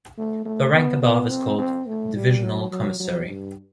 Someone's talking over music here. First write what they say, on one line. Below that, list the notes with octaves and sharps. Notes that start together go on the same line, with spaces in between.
The rank above is called "divisional commissary".
A3
A3
B3
B3
C4
C4
A3
G3
F#3
F#3
F#3
G2